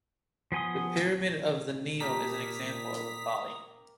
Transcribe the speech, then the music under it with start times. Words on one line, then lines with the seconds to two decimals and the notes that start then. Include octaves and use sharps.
The Pyramid of The Neale is an example of a folly.
0.52 F3 B3 G#5 C6 D#6
2.00 A#2 G4 A#4 A5 A#5 D#6 B6